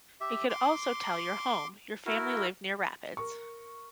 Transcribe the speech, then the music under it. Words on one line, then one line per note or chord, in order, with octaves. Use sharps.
It could also tell your home: your family lived near rapids.
G4 E5
C6 D6
E4 F#4 A#4
A#4 C#6